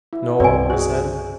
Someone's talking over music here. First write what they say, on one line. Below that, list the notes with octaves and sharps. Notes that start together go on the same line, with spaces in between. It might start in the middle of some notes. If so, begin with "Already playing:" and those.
"No," he said.
E4
C2 G2 C4 A4 C#5 D5 G#5
F#4 G#4 C5